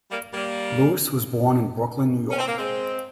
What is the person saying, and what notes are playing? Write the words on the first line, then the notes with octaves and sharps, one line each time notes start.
Lewis was born in Brooklyn, New York.
G3 A#3
G3 A#3
C#4
C4
A#3
G#3 C4